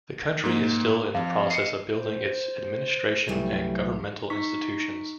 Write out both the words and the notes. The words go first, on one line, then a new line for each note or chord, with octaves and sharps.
The country is still in the process of building its administration and governmental institutions.
G#2 A#3
F2 F5
D#5 C7 C#7
C5
C2 F2 E3 F#3 G3 A3
D#4 C#6 B6